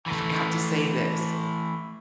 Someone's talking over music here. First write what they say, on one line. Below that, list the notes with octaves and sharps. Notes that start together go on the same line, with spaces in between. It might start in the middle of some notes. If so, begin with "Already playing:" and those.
I forgot to say this'"
E3 A3